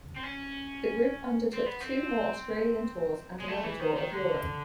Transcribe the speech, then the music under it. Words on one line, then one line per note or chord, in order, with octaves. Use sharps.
The group undertook two more Australian tours and another tour of Europe.
C4
C#4
C4
B3
C4
G#3
A3
E3
D#3
D#3
D3